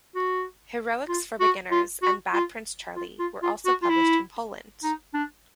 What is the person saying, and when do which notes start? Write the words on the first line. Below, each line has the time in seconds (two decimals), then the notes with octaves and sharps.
"Heroics for Beginners" and "Bad Prince Charlie" were also published in Poland.
0.15 F#4
1.08 F4
1.40 F#4
1.71 F4
2.02 F#4
2.33 F4
2.96 F4
3.19 F4
3.43 F4
3.65 F#4
3.82 F4
3.89 E4
4.83 D#4
5.14 D4